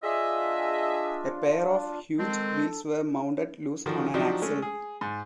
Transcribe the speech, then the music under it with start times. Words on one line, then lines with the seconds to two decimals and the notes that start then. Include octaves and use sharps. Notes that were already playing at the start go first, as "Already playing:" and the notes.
A pair of huge wheels were mounted loose on an axle.
0.03 D4 F4 G#4 D#5 E5
2.19 D#3 G#3 C4 A4
3.86 D3 D#3 F3 F#4
4.14 F3 F#3 D4 D#4 F#4 G4
4.42 G#3 A3 C#4
4.62 G#4
5.01 G#2